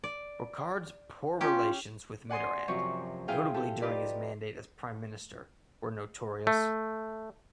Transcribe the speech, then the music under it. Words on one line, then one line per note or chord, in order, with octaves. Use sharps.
Rocard's poor relations with Mitterrand, notably during his mandate as Prime Minister, were notorious.
D5
C#4 F4 G4
D5 F#5 G#5 C6 D#6
F#2 C3 F3 C#6
E4 F4 G#4 F5 G5
G4 A4
D#4 F4 G4 B4 D5
A3